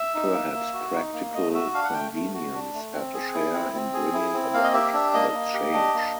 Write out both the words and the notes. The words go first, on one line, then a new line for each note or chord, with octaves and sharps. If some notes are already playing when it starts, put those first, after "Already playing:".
Perhaps practical convenience had a share in bringing about the change.
Already playing: E5
D#4
A#3
A#3
F#4
D#4
A#3
A3 D#5
F#4 E5
D4 F5
F#5
A3 G5
A3
F#4
D4
A3
C4
G#4
E4
C4
C4
G#4
E4
C4
A#3 F5
D#5
G4 E5
D4 E5
A#3 D#5
A#3
G4
D4
A#3